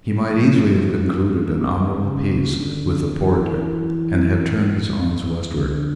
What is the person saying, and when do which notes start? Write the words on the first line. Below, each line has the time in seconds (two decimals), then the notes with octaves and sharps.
He might easily have concluded an honourable peace with the Porte, and have turned his arms westward.
0.24 F3
2.01 C#3
2.60 D3
3.19 E3
5.54 D3